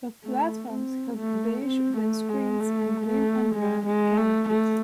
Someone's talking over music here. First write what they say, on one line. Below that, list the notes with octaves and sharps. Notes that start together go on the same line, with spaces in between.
The platforms have beige windscreens and green and brown canopies.
A3
C4
A3
C4
A3
G#3
A3
A3
G#3
G#3
A3
A3